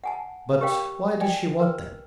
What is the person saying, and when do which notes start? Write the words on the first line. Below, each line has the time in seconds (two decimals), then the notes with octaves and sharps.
"But why does she want them?"
0.04 F#5 G#5 A5
0.61 G4 A#4 C#5 F5 G5
1.20 D5 G5 G#5
1.60 A#4 B4